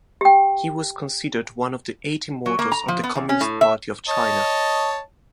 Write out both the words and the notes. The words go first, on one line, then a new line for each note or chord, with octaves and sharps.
He was considered one of the Eight Immortals of the Communist Party of China.
G4 G5
F#3
A#3
A#5
F3
B3
E2
C#4
A2
E5
C#5 D#5 A5